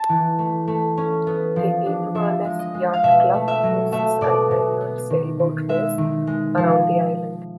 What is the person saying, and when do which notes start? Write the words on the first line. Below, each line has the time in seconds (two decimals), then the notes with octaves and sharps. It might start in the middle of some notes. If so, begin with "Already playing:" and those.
The Inverness Yacht Club hosts an annual sailboat race around the island.
Already playing: A5
0.09 E3
0.39 A3
0.68 A3
0.97 C#4
1.27 B3
1.56 F3
1.86 D4
2.15 F3 E5
2.45 G#3
2.59 D#5
2.74 G#3
2.93 F5
3.03 B2 E5
3.34 A3
3.48 E5
3.63 F#3
3.92 A3 E5
4.21 B2 D5
4.51 B2
4.81 B3
5.10 D#3
5.39 D#3
5.69 G#3 E5
5.98 D#3
6.27 G#3
6.57 F3